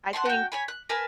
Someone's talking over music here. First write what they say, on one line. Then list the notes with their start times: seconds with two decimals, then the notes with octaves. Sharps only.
I think
0.13 F#5 G#5 A5 C6
0.25 F#4 G5
0.52 C#5 G#5 B5
0.68 F#6
0.89 A#4 B4 G#5 A5